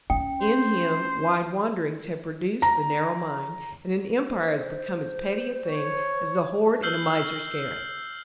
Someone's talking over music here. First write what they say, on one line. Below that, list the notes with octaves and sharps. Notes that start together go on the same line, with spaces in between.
In him, wide wanderings have produced the narrow mind, and an Empire has become as petty a thing as the hoard in a miser's garret.
C#4 G5
C5
A#5
C5
C#5
E6 F6 G6 C7 F#7 G7